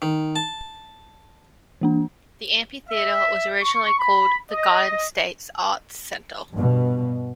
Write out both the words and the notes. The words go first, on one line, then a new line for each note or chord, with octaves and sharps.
The amphitheatre was originally called the Garden State Arts Center.
D#3
A5
E3 A#3 D4
E5
C#6
B5
D#5
G2 B2